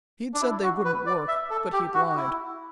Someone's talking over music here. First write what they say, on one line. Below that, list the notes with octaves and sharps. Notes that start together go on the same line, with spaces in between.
He'd said they wouldn't work, but he'd lied.
D4
E4
F#4
B4
D5
E5
A4
G4
F#4
E4